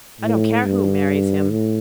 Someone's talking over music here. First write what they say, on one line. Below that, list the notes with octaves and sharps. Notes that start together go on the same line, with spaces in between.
I don't care who marries him.
A2
G2
A2